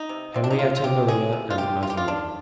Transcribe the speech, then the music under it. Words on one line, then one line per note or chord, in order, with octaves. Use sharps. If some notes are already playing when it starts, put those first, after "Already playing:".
Henrietta Maria and Mazarin.
Already playing: D#4
C3
C3 C4
D4
D#4
C3 F4
F4
C3 G4
D#3 G#4
C3
F4
A#3 G4
A#3 F4
G4
F4
D#3 D4